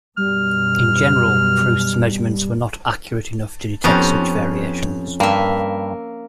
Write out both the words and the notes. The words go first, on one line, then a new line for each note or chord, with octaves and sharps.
In general, Proust's measurements were not accurate enough to detect such variations.
F#2 B2 G3 F6
F2 B3 C#4 G4 A#5
G2 A#3 E5